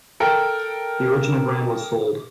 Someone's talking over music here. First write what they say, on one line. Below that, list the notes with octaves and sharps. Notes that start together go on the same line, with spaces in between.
The original brand was sold.
A4 A#4 G5